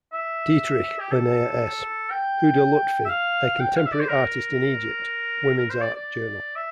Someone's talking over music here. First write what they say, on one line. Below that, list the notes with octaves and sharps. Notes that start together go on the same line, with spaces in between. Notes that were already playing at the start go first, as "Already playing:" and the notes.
Dietrich, Linnea S. "Huda Lutfi: A Contemporary Artist in Egypt" Women's Art Journal.
E5
G4
A4
G5
E5
F5
G5
F5
E5
D5
C5
A#4
A#4
C5
D5
D5
E5